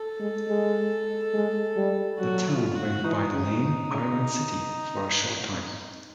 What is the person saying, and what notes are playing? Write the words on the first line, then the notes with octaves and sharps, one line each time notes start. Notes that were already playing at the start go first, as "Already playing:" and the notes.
The town went by the name "Iron City" for a short time.
Already playing: A4
G#3
G#3
G#3
G3
F#3 F#4
F4
F#4
E3 D#4
C#3
C#3